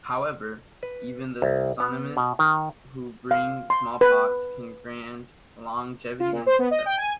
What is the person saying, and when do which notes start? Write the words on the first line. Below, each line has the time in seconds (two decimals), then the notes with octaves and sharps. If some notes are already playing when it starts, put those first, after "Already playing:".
However, even the Sonnimne, who bring smallpox, can grant longevity and success.
0.83 B4
1.42 C2
1.80 B3
2.17 B2
2.39 D#3
3.31 F5
3.70 C6
4.01 B4
6.20 F4
6.32 A#2
6.46 C5
6.59 B3
6.71 D#5
6.86 G5
6.98 G#5